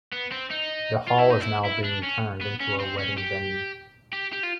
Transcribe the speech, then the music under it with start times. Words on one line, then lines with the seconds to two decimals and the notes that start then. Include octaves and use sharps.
The hall is now being turned into a wedding venue.
0.12 B3
0.32 C4
0.51 D#4
1.08 F4
1.19 E4
1.31 D#4
1.41 E4
1.65 E4
1.84 D4
2.03 C#4
2.41 B3
2.61 C#4
2.80 C4
2.99 C#4
3.18 G4
4.13 G4
4.32 G4
4.43 F4